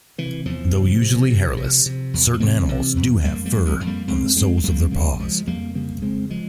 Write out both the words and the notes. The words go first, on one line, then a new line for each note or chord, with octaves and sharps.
Though usually hairless, certain animals do have fur on the soles of their paws.
C3 E3
E2 F3
C3
C3
C3
C3
C3
E2
F3
C3 E3 G3
C3
E2
F2 G3 A#3
G3 A#3
F2
F3 G#3
F2 G#3
G3 A#3
F2 G#3 C4
F2 G#3 C4
C4
F2 G3 A#3
C#3 G3 A#3
A#3
C#3 F3 G#3
F2 G3 A#3
C#3 G3 A#3
F2 G#3 C4
F3 G#3